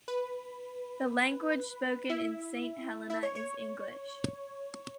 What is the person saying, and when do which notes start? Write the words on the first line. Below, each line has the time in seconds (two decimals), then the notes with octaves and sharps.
The language spoken in Saint Helena is English.
0.08 B4
2.09 E4 E5
3.10 E4 E5
3.23 C#5
3.35 C#5